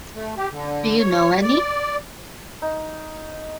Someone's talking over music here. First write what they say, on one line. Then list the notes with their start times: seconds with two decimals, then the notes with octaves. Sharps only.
Do you know any?
0.15 A3
0.37 G4
0.51 D3
0.99 C#5
1.42 D5
2.62 D#4